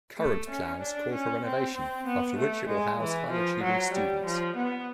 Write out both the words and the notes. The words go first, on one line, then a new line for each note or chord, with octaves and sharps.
Current plans call for renovation after which it will house high achieving students.
A3
C#4
D4
C#4
C4
C4
B3
A3
G#3
E3
F3
F#3
G3
F3
B3